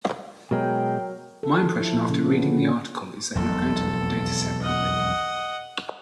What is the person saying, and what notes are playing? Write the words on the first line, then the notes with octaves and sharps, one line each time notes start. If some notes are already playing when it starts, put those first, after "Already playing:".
My impression after reading the article is that you are going to make the dataset public.
B2 F#3 G#3 A#4 G5
A4
F3
E4
A#2
C#3
B3
D3
C#4
E1 B1 F2 A4
D#5 F#5